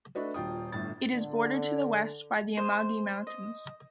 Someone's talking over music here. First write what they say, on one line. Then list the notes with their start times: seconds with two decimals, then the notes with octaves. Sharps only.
It is bordered to the west by the Amagi Mountains.
0.15 A3 D4 F#4 B4 D#5
0.34 D#1 F4 G5 D#6
0.72 G1 A2 A6
1.12 D3
2.57 C5
3.27 D#5